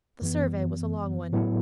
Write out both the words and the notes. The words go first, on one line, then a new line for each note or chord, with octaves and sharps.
The survey was a long one.
F#2 E3 B3
A2 F#3 B3 E4